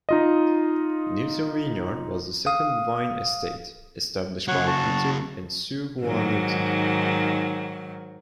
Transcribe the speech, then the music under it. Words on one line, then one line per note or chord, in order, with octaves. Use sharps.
Newton Vineyard was the second wine estate established by Peter and Su Hua Newton.
D#4 F4 D#5
F5 D#6
C#3 F#3 C#5 F#5
F#4 A5
G#2 D#3 F#3